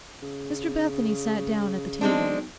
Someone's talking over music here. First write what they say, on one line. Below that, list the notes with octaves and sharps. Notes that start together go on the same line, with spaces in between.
Mr Bethany sat down at the table.
C#3
B1 G#3 C4 D4